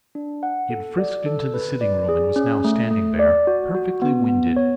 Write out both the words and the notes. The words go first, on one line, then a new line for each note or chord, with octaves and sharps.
He had frisked into the sitting-room, and was now standing there: perfectly winded.
D4
F#5
A4
D5
A4
B4
D5
G#4
C#4
A3
A3
D5
F#4
F#4
B3
B3
C#5